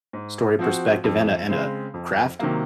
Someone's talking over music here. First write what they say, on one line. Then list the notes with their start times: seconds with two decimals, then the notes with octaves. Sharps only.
story perspective and a and a craft.
0.13 G#2
0.59 F3 C4 F#4
1.04 F2
1.49 C#3 G#3 C4
1.94 F2
2.40 C3 D#3 F#3 A#3